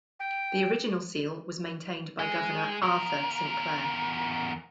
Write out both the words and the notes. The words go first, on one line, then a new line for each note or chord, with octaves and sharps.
The original seal was maintained by Governor Arthur Saint Clair.
G5
G#3
E2 A#4